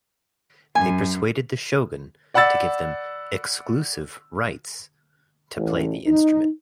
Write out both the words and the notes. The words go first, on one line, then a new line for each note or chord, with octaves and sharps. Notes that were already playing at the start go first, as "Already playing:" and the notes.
They persuaded the Shogun to give them "exclusive rights" to play the instrument.
F#2 G#5
D5 F#5 B5 E6 A6
A1
D#4